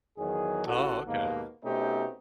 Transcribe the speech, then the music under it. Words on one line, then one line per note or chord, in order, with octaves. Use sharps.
Oh, okay.
E2 D#3 F#3 G#4
A1 F#4 A4
D#2 G#2 B2 A#3
B2 A3 C4 C#4 D#4 G4